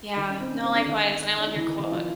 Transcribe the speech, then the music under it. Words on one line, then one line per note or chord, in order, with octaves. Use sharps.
Yeah, no, likewise, and I love your quote.
D#3 D#4
C#4
C4
C#4
C4
D3 D4
D#3 D#4
D4
D#4
E3 E4
D#3 D#4
E3 E4
F3 F4